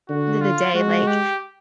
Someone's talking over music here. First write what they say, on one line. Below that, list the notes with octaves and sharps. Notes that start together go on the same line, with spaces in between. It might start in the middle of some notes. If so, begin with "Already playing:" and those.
of the day, like,
D3 F#4
F4
G#3 F#4
G4